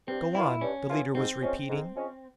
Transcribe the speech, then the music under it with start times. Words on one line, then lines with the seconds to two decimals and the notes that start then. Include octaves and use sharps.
"Go on," the leader was repeating.
0.08 G2 C4
0.35 E3 A#3 E4 F4
0.61 G2 C#4
0.88 E3 A#3 F4
1.14 G#2 C4
1.41 F3 G#3 C#4
1.69 G#2
1.96 F3 G#3 C#4